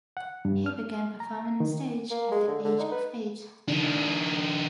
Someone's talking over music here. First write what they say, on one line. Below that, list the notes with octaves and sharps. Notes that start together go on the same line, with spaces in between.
He began performing on stage at the age of eight.
F#5
G2
F6
A#5
D#3
A#3
G#3
D3
D3
D#4
B4
D#3 D4